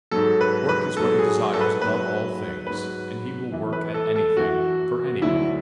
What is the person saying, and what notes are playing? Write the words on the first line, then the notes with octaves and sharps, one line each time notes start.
Work is what he desires above all things, and he will work at anything for anybody.
G#2 F#3 A4
B4
B4
G#2 F#3 A4
G#4
A4
B4
G#2 F#3 B4
G#2 F#3 B4
F#2 E3
B4
A4
A4
F#2 E3 F#4
D2 D3 F#3 E4